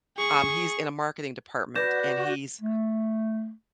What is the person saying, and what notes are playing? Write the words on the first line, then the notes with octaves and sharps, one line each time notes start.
um, he's in a marketing department, and he's
G#4 C#6
F#4 B4 D5 G6 A#6 E7
A3